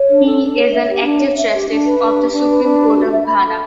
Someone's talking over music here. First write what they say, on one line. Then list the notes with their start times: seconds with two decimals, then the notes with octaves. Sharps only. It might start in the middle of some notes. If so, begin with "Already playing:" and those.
He is an active Justice of the Supreme Court of Ghana.
Already playing: C#5
0.10 D4
0.26 A4
0.41 D4
0.57 C#5
0.73 E5
0.89 G4
1.04 D4
1.21 C#5
1.37 E5
1.52 G4
1.68 D4
1.84 B4
2.00 D4
2.16 G4
2.32 D4
2.48 B4
2.64 D4
2.79 G4
2.96 F#4
3.12 E5
3.27 B5
3.43 A4